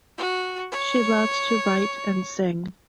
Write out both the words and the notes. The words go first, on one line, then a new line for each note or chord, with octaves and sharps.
She loves to write and sing.
F#4
C#5